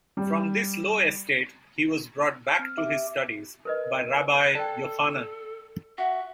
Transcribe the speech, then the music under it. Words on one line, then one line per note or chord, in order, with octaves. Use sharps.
From this low estate he was brought back to his studies by Rabbi Yochanan.
G3
F6
C4
G4 E5 D6
A#4 B4 D#5
F#6
A4 D5 G5 A5
F#4 E5